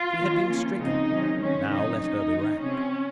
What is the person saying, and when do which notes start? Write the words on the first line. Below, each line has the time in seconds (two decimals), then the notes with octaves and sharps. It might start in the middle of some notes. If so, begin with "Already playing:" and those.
She had been stricken: now let her be racked.
Already playing: F4
0.18 D#3 A#3 C#4
0.47 F3 A#3 C#4
0.78 C#3 F3 G#3 C4 D#4
1.10 C3 D#3 F#3 C#4
1.40 D#3 G#3 C4 C#4
1.70 C3 D#3 F#3 C#4 D#4
2.00 F3 A#3 C#4 D#4
2.31 D#3 G#3 C4
2.62 C3 F3 C4 C#4